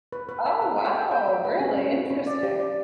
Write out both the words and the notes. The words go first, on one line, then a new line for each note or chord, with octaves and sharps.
Oh, wow, really? Interesting.
B4
B4
E5
B4
E5
G5
G5
E5
B4
C#4
C#4
C#4
C#4
D5
G4
D5